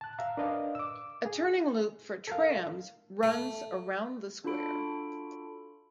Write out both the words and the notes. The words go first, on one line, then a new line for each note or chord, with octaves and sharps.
A turning loop for trams runs around the square.
A5 F#6
E5 F5 A#5
D4 A#4 B4 D5 D#5 F5
D6 E6
G#4
A4 A#4 F5
A3
D4 F4 F#4 A4 B5 D7